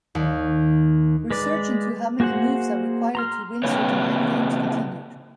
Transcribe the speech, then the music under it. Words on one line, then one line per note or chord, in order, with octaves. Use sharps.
Research into how many moves are required to win certain endgames continued.
D#2
G#3 B4 D5
A#3 F#4 G#4 C5 F#5
A#5 C6 F6
C#3 A#3 C4 B4 C#5